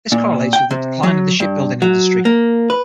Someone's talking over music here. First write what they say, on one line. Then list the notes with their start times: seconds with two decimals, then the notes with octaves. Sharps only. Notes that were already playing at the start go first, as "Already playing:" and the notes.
This correlates with the decline of the shipbuilding industry.
0.12 A#2
0.53 G5
0.71 C3
1.03 F#3
1.40 G2
1.82 F#3
2.25 A#3
2.70 B4